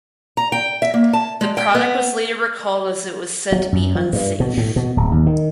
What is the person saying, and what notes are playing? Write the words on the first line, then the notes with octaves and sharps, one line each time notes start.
The product was later recalled as it was said to be unsafe.
A#5
G5
E5
A#3
A5
G#3
G5
B3
F#3
F#2
F3
G2
B2
A2
B2
D1
D#2
D#3